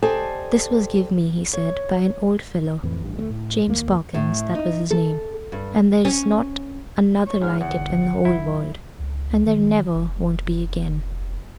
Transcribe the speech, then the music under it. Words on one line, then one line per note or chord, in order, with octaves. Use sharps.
"This was give me," he said, "by an old feller--James Parkins, that was his name--and there's not another like it in the whole world, and there never won't be again."
G4 A4 C5 D5 D#5 G#5
C#5
F2 A2 E3
A1 G2
D2 G#3 A3
A2
D#2 A#3
A2
D#4
A4
G2
C#4
C#5 C#6
G#2 F6
E2 D3 F#5
D1 G1
E1 F#3 E4
C#2
D#3
F1